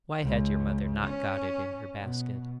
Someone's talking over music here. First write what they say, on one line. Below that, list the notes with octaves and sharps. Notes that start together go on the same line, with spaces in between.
Why had your mother not got it in her basket?'
C#2
C#4
B2